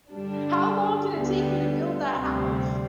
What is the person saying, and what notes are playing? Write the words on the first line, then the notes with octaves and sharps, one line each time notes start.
How long did it take you to build that house?
G2 D3 G3 D4
D2 D3 G3 B3
D2 C3 G3 C4